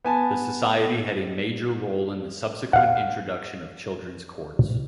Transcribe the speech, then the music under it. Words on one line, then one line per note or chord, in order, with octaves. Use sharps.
The society had a major role in the subsequent introduction of children's courts.
B3 G#5 A5
F5 F#5